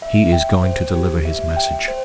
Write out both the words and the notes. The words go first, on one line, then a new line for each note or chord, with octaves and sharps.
He is going to deliver his message.
E5
G5
C5
G4
E5
G5
C5